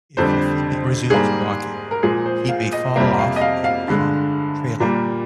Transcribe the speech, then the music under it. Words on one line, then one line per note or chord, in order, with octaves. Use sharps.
If the female resumes walking, he may fall off and resume trailing.
F2 D3 G3 C5
G#2 G3 A#3 G#4
A#4
A#2 F3 G#3 G#4
C5
F5
D#5
F2 C3 G3 A#3
F5
D#5
F5
F5
G2 D3 G#3
A#2 G3 A#3